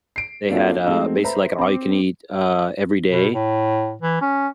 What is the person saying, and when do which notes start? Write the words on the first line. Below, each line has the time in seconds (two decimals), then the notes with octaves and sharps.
they had, uh, basically like an all-you-can-eat, uh, every day,
0.16 C7 D7
0.49 A#3 C4 D4 F4 F#4 A4
0.85 G#3 A3 C4 D#4 F#4
1.24 B4 C5 E5 A#5 B5
1.59 C4 D6
3.10 B2
3.34 A2
4.02 E3
4.21 C#4